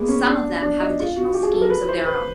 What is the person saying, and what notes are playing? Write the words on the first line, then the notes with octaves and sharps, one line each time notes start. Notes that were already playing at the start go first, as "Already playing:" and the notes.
Some of them have additional schemes of their own.
Already playing: G#3 A#3 B3
C#4
D4
D4
D#4
F4
F#4
G4
G#4
A4
A#4
B4
C5
B4